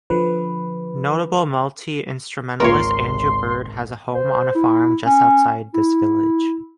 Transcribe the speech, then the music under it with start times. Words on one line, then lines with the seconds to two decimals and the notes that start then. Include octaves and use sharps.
Notable multi-instrumentalist Andrew Bird has a home on a farm just outside this village.
0.10 D3 F3 B4
2.60 G#1 C#2 A#2 A#4 B4 C#5 C6
4.15 C5
4.55 E4
5.06 C#4
5.74 E4